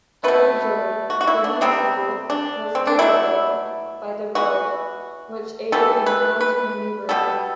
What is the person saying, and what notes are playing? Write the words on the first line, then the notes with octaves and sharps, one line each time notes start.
Unusually, the nosewheel was steerable by the rudder, which aided in ground maneuvering.
B2 A3 B4
F#4
F#4
E4
D4
C3 G3 B3 C4
D4
C4
D4
B2 F#3 A3 E4
E3 B3 F#4
E3 G3 B3 A4
B4
B4
B2 G3 B3 A4